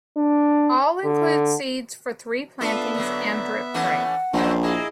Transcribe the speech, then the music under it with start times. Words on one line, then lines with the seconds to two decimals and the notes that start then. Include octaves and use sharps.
All include seeds for three plantings and drip tray.
0.17 D4
1.04 D3
2.61 B3 D4 F4 A4 E5
2.94 D3 F#3
3.74 E3 A3 C#4 F#5
4.33 A#1 A#2 F#3 C4 C#4 F4
4.63 A#3 E4 G#4 D#5